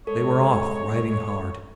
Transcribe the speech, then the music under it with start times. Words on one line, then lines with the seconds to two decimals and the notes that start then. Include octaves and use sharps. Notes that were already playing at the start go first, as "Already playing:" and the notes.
They were off, riding hard.
0.07 G#3 A4 C#5